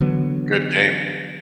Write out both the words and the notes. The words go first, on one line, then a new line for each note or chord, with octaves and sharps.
good game.
D3 E3 F#3 B3